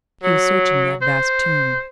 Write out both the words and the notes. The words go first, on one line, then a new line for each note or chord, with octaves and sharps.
He was searching that vast tomb.
F#3
C5